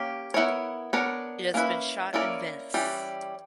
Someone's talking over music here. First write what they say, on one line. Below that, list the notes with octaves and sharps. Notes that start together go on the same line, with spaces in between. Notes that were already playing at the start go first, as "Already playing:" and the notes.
It has been shot in Venice.
Already playing: A#3 C#4 G4
B3 E4 A#4 C#5
B3 D4 A#4 C#5
A#3 C#4 E4 B4
A#3 C#4 E4 A#4 D5
E3 G3 C#4